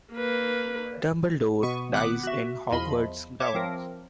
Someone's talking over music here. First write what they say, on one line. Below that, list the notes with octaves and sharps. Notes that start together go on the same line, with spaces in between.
Dumbledore dies in Hogwarts' grounds.
A#3 B4
B2 B3 C#6 C#7 D#7
G#1 B3 F#5 D6 F#6 B6
F#4 E5
E2 F3 D#5 B5 C6
C#5 E5 D6
F3 C4 A#4